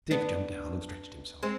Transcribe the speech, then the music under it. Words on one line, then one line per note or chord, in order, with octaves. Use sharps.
Steve jumped down and stretched himself.
B3 D4
G#3 C4